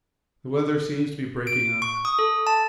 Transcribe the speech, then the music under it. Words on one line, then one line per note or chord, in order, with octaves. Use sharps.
The weather seems to be breaking up.
D7
C#6
D#6
A4
A5